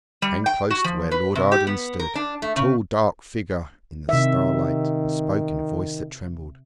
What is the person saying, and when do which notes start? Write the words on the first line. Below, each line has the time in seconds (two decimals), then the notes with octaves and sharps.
He came close to where Lord Arden stood--a tall, dark figure in the starlight--and spoke in a voice that trembled.
0.22 G3
0.46 G5
0.70 F#4
0.84 F3
1.11 B4
1.35 C3
1.52 G4
1.67 B3
1.99 A#4
2.15 D4
2.42 A3
2.56 C#3
4.09 C3 D#3 E5